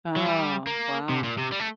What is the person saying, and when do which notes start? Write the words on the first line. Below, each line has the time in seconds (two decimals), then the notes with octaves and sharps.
Oh, wow.
0.16 F#3
0.25 G3
0.67 A#3
1.09 C3
1.24 A#2
1.38 C3
1.52 G3
1.59 A3